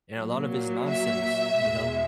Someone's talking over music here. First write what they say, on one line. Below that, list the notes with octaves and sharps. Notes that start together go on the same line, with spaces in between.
And a lot of it is nonsense, you know?
A#2 F#3
E5
E2 B2 G#3